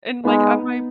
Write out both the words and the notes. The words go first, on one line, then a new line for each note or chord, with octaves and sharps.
and, like, on my
G#3 B3 D#4